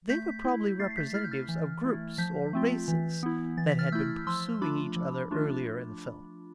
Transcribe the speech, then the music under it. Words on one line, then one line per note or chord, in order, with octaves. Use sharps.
They were probably representatives of groups or races that had been pursuing each other earlier in the film.
A3 G6 B6
E4
A3 A6 C7
C7
G6 B6
E4 F6 A6
G6
F6 A6
E3
A3 E4
F3 G6 B6
A3 C4 F4
E3
B3 E4
E3 A6
B6
F6 A6
A3 E4 E6 G6
F3 C6 E6
A3 D4 F4 B5 D6
F3
A3 D4 F4